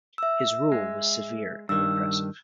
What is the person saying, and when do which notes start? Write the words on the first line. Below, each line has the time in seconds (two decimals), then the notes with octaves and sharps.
His rule was severe and oppressive.
0.18 E5 E6
0.72 G#3
1.69 G2 D#3 E6